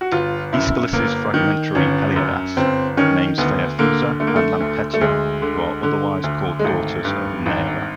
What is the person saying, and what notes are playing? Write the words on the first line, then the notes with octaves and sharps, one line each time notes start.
Aeschylus's fragmentary "Heliades" names Phaethousa and Lampetia, who are otherwise called daughters of Neaera.
F#4
G1 F4
F#2 E4
G1 A#3
D#3
G1 C#4
F#2
G1 C4
D#3 C#4
D2 B3
D3 A#3
D3 A3
A#3
A3
D2
A3
D2 G#3
D3
D3
D2
G#3
G#1 A3
G2
G#1